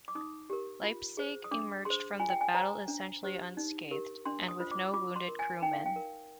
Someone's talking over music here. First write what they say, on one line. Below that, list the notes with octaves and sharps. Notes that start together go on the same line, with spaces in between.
"Leipzig" emerged from the battle essentially unscathed, and with no wounded crewmen.
D6
D#4 D#6
G4 A#4
F4
G#4 C5
D#6
D4 D6
G#4 C5 C6
F4 G#5
G5
G#5
C5 A#5
D4
G4 C5
D#4
G4 A#4
D4 C6
D#6
F4 C5
D6
F4 D6
C6
A#4
G#5
D#4 G5
F5
G5
A#4